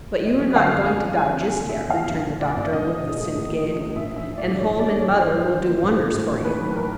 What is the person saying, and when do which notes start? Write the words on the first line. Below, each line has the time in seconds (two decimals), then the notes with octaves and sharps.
"But you are not going to die just yet," returned the doctor, with assumed gayety; "and home and mother will do wonders for you."
0.24 F2 D#5
0.40 F#3
0.55 D3 F5
0.72 F2
0.86 G2 G#5
1.02 G3
1.17 E3 G#5
1.33 C4
1.49 F1
1.65 C#3 E5
1.79 E2
1.90 F3 F5
2.11 A#1
2.26 G3
2.41 A#2 D5
2.56 A#1
2.62 E5
2.72 C#2 D#5
2.88 E3
3.03 C#3
3.19 A3
3.35 A2
3.49 A#3
3.66 F3
3.81 D#4
3.96 A#1 E5
4.11 E3
4.16 E5
4.27 A2
4.37 D5
4.43 G#3
4.58 G#1 C#5
4.74 F3
4.79 D5
4.90 G#2
4.99 C#5
5.05 G#1
5.20 G2 C5
5.36 G3
5.52 D#3
5.66 A#3
5.83 A#1
5.98 F3
6.14 A2
6.29 A#3
6.44 D#2 B4
6.60 F#3
6.75 D#3 A#4